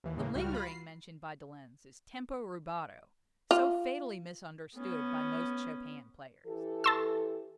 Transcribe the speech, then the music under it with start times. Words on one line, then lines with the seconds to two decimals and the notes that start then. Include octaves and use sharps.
The "lingering" mentioned by de Lenz is tempo rubato, so fatally misunderstood by most Chopin players.
0.04 D#2 E3
0.16 A2 C#3 E3 A#3
0.34 C#2 G3 F#4 F6
0.53 F4 B5 A#6
0.67 C7
3.51 F4
4.76 B3 C#4
6.47 E3 G4 A4
6.84 A5 C6 E6